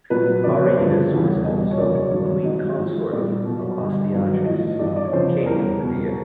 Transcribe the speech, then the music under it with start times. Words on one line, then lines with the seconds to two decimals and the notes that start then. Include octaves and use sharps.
Aryenis was also the Queen consort of Astyages, King of Media.
0.10 A#2 F#3 B4
0.44 F2 C#3 F#3 D5
0.55 C#5
0.66 C5
0.77 G2 D3 F3 B4
1.11 E2 C#3 E3 G3
1.44 B2 G3 D#5
1.71 C#5
1.78 F#2 C#3 F#3 D5
1.95 C#5
2.11 G2 D#3 F#3 C#5
2.45 G#2 D#3 F#3 D#5
2.79 G#2 F3
3.12 A#2 G3 D5
3.45 B2 F#3
3.79 G2 D3 G3 D#5
4.12 G2 D#3 F#3
4.45 A2 F3 D#5
4.79 G2 E3 G3 D5
4.87 D#5
4.96 D5
5.05 C#5
5.13 F2 C#3 F3 C5
5.46 E2 C#3 E3 G3 A#4
5.80 B2 G3